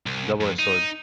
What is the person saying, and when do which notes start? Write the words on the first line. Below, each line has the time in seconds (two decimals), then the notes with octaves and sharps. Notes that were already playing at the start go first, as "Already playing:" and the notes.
double-edged sword.
0.06 C2
0.40 F2
0.59 D#4